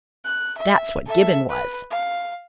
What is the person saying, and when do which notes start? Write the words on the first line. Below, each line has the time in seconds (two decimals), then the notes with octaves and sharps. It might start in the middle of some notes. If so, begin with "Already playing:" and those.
That's what Gibbon was.
0.25 F#6
0.58 E5
1.06 A4 E5
1.49 B4
1.91 F5